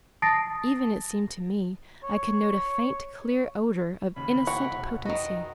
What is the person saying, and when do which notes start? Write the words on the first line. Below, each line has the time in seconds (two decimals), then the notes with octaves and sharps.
Even, it seemed to me, I could note a faint, clear odor of innocent potency.
0.22 A5 D#6 A6 A#6 C7 D7
2.04 C#5
4.16 D#2 C#3 B5
4.47 G#1 F#4 C#5 F#5 G5 C6
4.75 E1
5.06 D#3 F#4 D#5